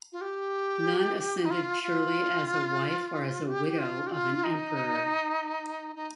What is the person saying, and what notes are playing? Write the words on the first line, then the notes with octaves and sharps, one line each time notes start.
None ascended purely as a wife or as a widow of an emperor.
F4
G4
D#4
F4
F4
G4
F4
G4
F4
D#4
D#4